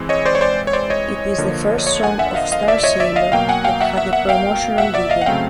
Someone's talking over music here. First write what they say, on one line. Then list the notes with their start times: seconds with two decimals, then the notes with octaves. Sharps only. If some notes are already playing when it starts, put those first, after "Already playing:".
It is the first song of Starsailor that had a promotional video.
Already playing: E3 G#3 C4
0.09 C#5 D#5
0.26 C5 D5
0.35 C#5
0.41 C5 D5
0.67 C#5
0.73 C5 D5
0.90 C#5 D#5
1.38 D3 F3 A#3
1.87 C#5 D#5
2.03 F#5 G#5
2.19 E5 F#5
2.35 D#5 F5
2.52 D#5 F5
2.68 D5 E5
2.83 C#5 D#5
3.00 D5 E5
3.16 D#5 F5
3.32 B2 F#3 A#3 F5 G5
3.49 F#5 G#5
3.64 F5 G5
3.81 E5 F#5
3.97 E5 F#5
4.13 E5 F#5
4.29 F5 G5
4.78 E5 F#5
4.94 D5 E5
5.10 D#5 F5
5.22 F#5
5.26 C#3 F#3 A3 C4 F5 G5